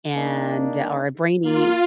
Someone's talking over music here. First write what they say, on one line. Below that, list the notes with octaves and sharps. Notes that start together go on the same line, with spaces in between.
and or Brainy,
A#3 D4 D#4
A#3 F4